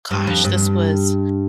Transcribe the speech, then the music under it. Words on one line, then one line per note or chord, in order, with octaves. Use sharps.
Gosh, this was
G2
F2
G2